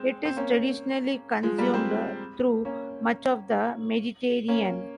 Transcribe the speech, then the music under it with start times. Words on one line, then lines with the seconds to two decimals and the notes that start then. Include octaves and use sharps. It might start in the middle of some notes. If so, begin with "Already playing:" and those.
It is traditionally consumed through much of the Mediterranean.
Already playing: G#3 C4
0.25 C4
0.36 A#3 C#4
1.43 F3 G#3
1.58 G3 A#3
1.74 G#3 C4
2.65 A#3 C#4
4.48 A#3 C#4